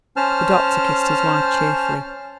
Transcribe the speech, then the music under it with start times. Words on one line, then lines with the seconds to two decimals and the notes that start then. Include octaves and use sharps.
The doctor kissed his wife cheerfully.
0.16 C#4 C5 A5 F6